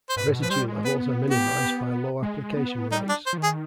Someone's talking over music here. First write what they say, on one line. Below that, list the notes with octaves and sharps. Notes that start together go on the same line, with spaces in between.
Residue levels are minimized by low application rates.
C5
G#2 B4
G#2
B2
F3 B4
G3 C5
G#3
B3 B4
G4
G#3
B3
G3 D#4
D4
C5
F3
D#3
G#4